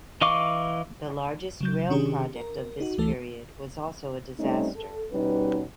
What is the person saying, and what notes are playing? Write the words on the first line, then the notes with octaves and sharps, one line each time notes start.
The largest rail project of this period was also a disaster.
E3 D#5 F5 C#6 D6
C#3 F#3 G6
C3 D#3 C#4 D4 G4 G#4
A#4
D#4 F#4
C#2 E3 A3 A4
G3 A3 C4 C#4 D#4
A4
B2 G3 C#4 D#4 B4